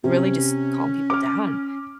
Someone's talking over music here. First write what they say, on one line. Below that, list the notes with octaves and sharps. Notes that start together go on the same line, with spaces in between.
really just calm people down,
C3 C#4
D6 F6